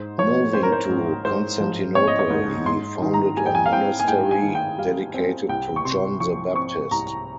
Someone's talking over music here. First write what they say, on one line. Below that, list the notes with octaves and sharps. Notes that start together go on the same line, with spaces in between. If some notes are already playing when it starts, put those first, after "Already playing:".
Moving to Constantinople, he founded a monastery dedicated to John the Baptist.
Already playing: G#2 C5
F3 C#5
C4 C5
A#4
C5
G#2
G#2 C5
F3
C4 C#5
D#5
C#5
G#2
G#2 C6
D#3
A#5
G3 G#5
G5
G#5
F5
C4 G5
G#5
G#2 G5
G#5
D#3
G5
G3 F5
C4
C2 G5
C#6
C3 C6
F3 C#6
C4 C#6
C2 A#5